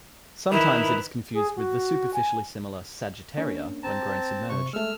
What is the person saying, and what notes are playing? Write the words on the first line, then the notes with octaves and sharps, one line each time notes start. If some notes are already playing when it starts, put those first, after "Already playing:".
Sometimes it is confused with the superficially similar "Sagittaria" when grown submerged.
D#3 E4 B4
G#4
F#4
G#5
A#3 C#4 D4
C4 A5 A#5
C3 C5 C#6
G#3 A3 E6 F6